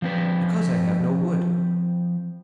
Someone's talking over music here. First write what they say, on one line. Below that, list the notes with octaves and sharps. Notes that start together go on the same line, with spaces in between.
"Because I have no wood."
F3 C4 B4